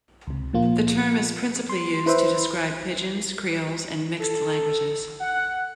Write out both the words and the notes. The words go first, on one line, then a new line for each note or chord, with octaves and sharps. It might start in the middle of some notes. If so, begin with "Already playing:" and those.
The term is principally used to describe pidgins, creoles, and mixed languages.
C#2 C3
A#2 F3 A#3 F4
C6
E4 B4 C5 E5
A4
F#5